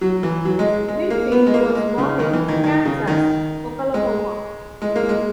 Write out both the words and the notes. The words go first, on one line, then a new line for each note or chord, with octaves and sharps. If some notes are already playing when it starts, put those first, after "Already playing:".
Winfield was born in Kansas, Oklahoma.
F#3
E3
F#3
G#3
G#3
A#3
B3
G#3
A#3
G#3
C#3
D#3
E3
D#3
D#3
C#3
D#3
G#3
G#3
A#3
G#3